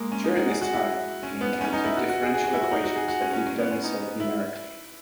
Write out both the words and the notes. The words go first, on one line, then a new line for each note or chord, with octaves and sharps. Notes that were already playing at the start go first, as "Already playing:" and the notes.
During this time, he encountered differential equations that he could only solve numerically.
Already playing: G#3 A#3
C#4
D#4
F#4
G#4
F#4
E4
C#4
B3
C#4
D#4
E4
F#4
F#4
G#4
G#4
F#4
E4
F#4
D#4
F#4
G#4
F#4
C#4
C#4
C#4
B3
C#4
D#4
E4